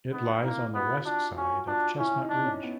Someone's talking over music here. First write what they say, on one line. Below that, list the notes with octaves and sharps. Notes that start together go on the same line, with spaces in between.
It lies on the west side of Chestnut Ridge.
B3 D#4
A#3 E4
B3 F#4
D4 F4
C#4 F#4
D4 F4
C#4 E4
D#4
D4
C#4
B3